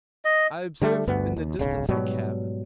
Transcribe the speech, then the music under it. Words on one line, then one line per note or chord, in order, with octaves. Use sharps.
I observe in the distance a cab.
D#5
D3 G3 A3
G1 D2 G2 B3
D#2
D1 B1 C#3
G#2 B2 F#3 G3